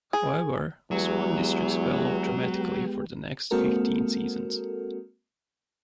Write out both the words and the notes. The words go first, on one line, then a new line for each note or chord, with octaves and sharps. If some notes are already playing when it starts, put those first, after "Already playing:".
However, Swan Districts fell off dramatically for the next fifteen seasons.
G#4
E2 F#3 G#3 B3 G4
G#3 A#3 C4 F#4 A4 A#4